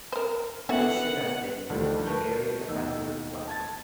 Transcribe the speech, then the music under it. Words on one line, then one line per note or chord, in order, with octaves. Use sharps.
It should have been a very effective weapon.
A#4 C5
D3 E3 B3 F#4 F#5
D2 D3 D#3 F3 G3 A3
A#4 B4 A5 C#6 G6
D#2 B2 D#4 E6
A5 G#6 A6